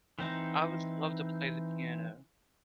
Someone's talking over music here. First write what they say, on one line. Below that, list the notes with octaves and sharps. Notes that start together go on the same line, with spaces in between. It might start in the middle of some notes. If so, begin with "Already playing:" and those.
I would love to play the piano.
E3 C4 D#4